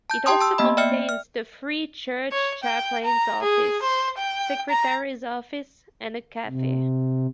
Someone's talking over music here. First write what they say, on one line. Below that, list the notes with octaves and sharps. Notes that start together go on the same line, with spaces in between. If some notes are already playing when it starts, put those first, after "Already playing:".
It also contains the Free Church Chaplains' office, Secretary's office and a Cafe.
A5 G6
G4 G5 A5 C6 D#6
A5 C6 E6
A#3 B3 D#5 B5
D5 E5 G5 F6 C#7
F6
C#5
G5
A#5
G#4
C5
G5
A#5
C3